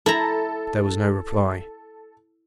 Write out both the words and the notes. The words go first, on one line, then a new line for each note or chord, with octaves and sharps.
There was no reply.
E4 A4 A#5